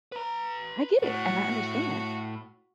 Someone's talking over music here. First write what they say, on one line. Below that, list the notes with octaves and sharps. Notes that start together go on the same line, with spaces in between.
I get it, and I understand.
B4 A#5
A2 F#4